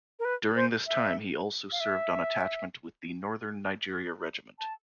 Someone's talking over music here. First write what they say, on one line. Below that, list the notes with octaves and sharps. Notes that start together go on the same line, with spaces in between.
During this time he also served on attachment with the Northern Nigeria Regiment.
A#4
B4
C5
E5
F5
E5
A5